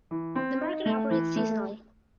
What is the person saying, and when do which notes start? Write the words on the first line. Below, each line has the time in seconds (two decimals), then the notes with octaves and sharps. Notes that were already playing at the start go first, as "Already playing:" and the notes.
The market operates seasonally.
0.11 E3
0.35 C4
0.61 D#4
0.86 A3
1.10 E3
1.36 A3